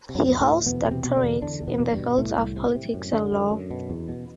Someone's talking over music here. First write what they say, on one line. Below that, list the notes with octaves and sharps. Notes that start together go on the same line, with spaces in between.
He holds doctorates in the fields of politics and law.
C3
F#2 F#3
D2
A2 A3
D2
E2 B2 B3
B2
C3 C4
B2
D3 D4
E2
E2 D3 D4
E2
B2 B3
B2
G2 G3
B2
C2 A2 A3
C2
C3
C3
F#2
D3
F#2
F#2
B2
E2
B2